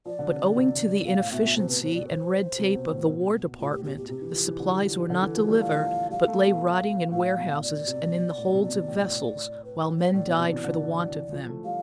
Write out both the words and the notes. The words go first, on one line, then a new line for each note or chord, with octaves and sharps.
But owing to the inefficiency and red tape of the War Department, the supplies were not delivered, but lay rotting in warehouses and in the holds of vessels while men died for the want of them.
F3 D5
D3
C3
C3
B2 F5
A2
B2 E5
B2
C3 C5
B4
C5
D5
C5
C3
B2
A2
B2
A2 F4
G4
B2 G4
G4
C3 G4
E3
F3
E3
D3
D3 A4
E3
F3
G3
A3 F5
A3
G3 F5
A3
B2
A2 F5
B2
B2 D5
C3
B2
A2
C3
B2 D5
A2
B4
B4
C5
A2 D5
B2
C3
E3
D3
E3
F3
A3
G3 F5